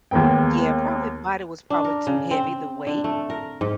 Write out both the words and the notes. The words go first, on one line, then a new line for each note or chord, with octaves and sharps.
Yeah, probably the body was probably too heavy, the weight
D#2 G#3 A#3 B3 G5
D4
A#4
C#3
C4
D3
A3
A#4
G#2